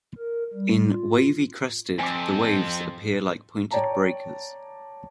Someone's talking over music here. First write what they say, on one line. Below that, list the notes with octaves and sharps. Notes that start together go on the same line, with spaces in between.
In "wavy crested" the waves appear like pointed breakers.
A#4
G3
F4
F2 C4 G#5 D6
C#5 D5 G5 A5 A#5